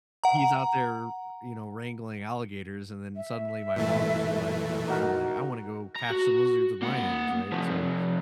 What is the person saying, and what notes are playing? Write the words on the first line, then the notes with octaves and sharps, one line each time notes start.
he's out there, you know, wrangling alligators, and then suddenly my mom is realizing I'm I'm like, "I wanna go catch some lizards with my hands," right? So
F#5 A#5
E5
A#2 E3 A3
D#4 F#4 A#4
A#5
F#4
A#3 F#5
F3 A3